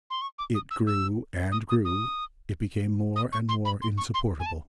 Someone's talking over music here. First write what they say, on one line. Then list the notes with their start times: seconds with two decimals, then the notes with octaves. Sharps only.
It grew and grew, it became more and more insupportable.
0.10 C6
0.22 C#6
0.39 D6
0.55 D#6
0.71 E6
0.87 E6
1.52 D#6
1.69 D#6
1.85 D#6
3.16 D#6
3.32 C#6
3.49 C6
3.65 B5
3.82 C6
3.98 C#6
4.14 C6
4.40 G#5
4.46 A5